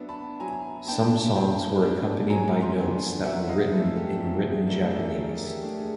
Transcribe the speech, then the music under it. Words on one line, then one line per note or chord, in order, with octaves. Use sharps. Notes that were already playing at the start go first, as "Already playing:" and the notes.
Some songs were accompanied by notes that were written in Written Japanese.
Already playing: F#3 B3 D4 E5
A5 B5
F#3 G#5 A#5
B3 D4 G5 A5
F#3 G5 A5
B3 D4
F#3 G#5 A#5
A#5 C6
B3 D4
F#3 E5 F#5
D#5 F5
A3 D4 A4 B4
G4 A4
F#3 G4
G#4
A3 D4 G#4 A#4
D5 E5
F#3 G#4 A#4
G4 A4
A3 D4
G#4